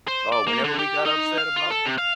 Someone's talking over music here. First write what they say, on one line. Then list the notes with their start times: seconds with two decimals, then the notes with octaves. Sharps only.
Oh, whenever we got upset about the
0.08 C5
0.32 D5
0.47 A#3
0.64 D3
0.79 G4
1.05 D#4
1.38 F5
1.56 F4
1.71 A4
1.85 C3
1.98 F5